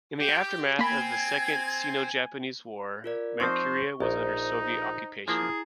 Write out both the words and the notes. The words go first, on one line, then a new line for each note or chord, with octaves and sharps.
In the aftermath of the Second Sino-Japanese War, Manchuria was under Soviet occupation.
G4 G6
A#3 C4 G#5 B5 G#6
F4 A#4 D5
F3 C4 D#4 C5 C#6
A#1 D#4 C5
F3 A#3 E4 G#4 A#5